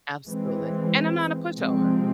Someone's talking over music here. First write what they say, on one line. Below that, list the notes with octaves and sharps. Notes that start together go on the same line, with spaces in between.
Absolutely, and I'm not a pushover.
E3 G#3 C4
C3 F3 G#3 C4